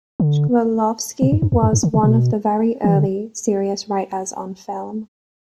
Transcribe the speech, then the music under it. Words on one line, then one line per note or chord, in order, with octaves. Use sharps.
Shklovsky was one of the very early serious writers on film.
D3
B2
F#2
F#2
E2
F#2
G2
D3
C3
B2
E3
D3